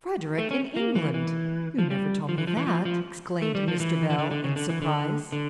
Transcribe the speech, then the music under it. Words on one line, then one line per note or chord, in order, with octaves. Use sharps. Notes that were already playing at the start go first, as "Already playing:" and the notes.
'Frederick in England! you never told me that!' exclaimed Mr. Bell in surprise.
A3
C#4
A#3
E3
E3
F3
G3
F3
E3
F3
E3
F3
F3
A3
G3
F3
E3
E3
D3
D3
C#3
D3
E3
D3
D3